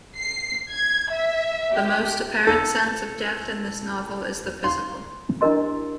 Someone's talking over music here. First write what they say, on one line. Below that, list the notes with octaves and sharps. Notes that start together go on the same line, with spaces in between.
The most apparent sense of death in this novel is the physical.
C7
G#6
E5
G4
A4
C6
D4 E4 G4 A#4 D#5 C6